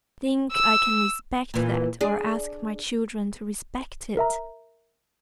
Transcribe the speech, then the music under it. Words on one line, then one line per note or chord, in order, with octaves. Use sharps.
Think I can respect that, or ask my children to respect it?
E6
A#2 E3
D4 G#4
A#4 E5 A#5